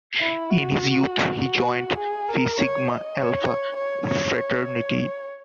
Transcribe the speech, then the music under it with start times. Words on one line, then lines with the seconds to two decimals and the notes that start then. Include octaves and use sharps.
In his youth, he joined Fi Sigma Alfa Fraternity.
0.21 E4
0.50 F#4
1.39 F#4
1.98 G#4
2.28 A#4
2.57 C#5
2.88 D#5
3.17 C#5
3.47 C#5
3.76 C#5
4.06 C#5
4.36 C#5
4.65 C#5